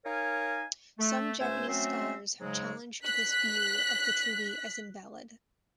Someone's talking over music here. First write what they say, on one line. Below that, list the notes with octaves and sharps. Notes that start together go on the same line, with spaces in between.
Some Japanese scholars have challenged this view of the treaty as invalid.
D#4 A#4 C#5 F5 G#5
A3
C#2 A3 C#4 C5 E5 G#5
F#3 A3 C4 C#4 C5 E5
G#2 C#3 F#3 G#3
F#6 B6